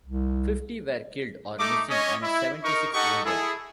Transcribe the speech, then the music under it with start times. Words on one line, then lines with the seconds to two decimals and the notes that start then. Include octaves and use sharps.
Fifty were killed or missing and seventy-six wounded.
0.05 C2
1.59 A3 D#4 D6
1.89 C#4 C#5 D#5
2.22 E4
2.63 D#4 A#4 C#6
2.93 D#4 G4 A4 D#5 F#5 C#6
3.25 E4 G#4 A4